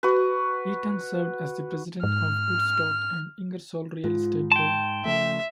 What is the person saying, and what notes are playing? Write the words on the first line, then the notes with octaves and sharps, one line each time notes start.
Eaton served as the President of Woodstock and Ingersoll Real Estate Board.
F#4 B4
G#2 F6
G#2 G#3 F4
G5 A5 C6
C#3 F3 A3 E5